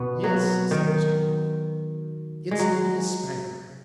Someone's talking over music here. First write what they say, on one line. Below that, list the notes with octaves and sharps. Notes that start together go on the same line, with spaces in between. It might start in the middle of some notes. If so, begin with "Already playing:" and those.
'Yes,' said Mr Boffin, 'it's to be a Spanker.
Already playing: B2 B3
F#3
D#3
G#3
F#3